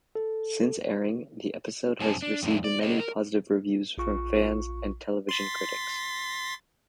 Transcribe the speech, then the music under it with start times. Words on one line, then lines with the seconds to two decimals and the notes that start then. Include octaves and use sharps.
Since airing, the episode has received many positive reviews from fans and television critics.
0.15 A4
2.01 F#2 C3 D4 C5 G#5 A5
2.22 D4
2.43 F2 A2 D4 E4
2.64 D5
2.82 G#4 C#5 D#5
2.99 A#4
3.98 A#1 F4 C#6
5.29 C6 A6 B6